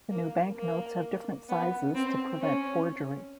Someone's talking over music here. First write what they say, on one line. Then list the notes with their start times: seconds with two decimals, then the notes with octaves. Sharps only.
The new banknotes have different sizes to prevent forgery.
0.10 A#3
0.56 A#3
1.49 B3
1.95 C4
2.40 C#4